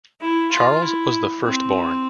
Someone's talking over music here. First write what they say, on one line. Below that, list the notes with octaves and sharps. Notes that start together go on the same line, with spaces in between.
Charles was the firstborn.
E4
F4
E4
C4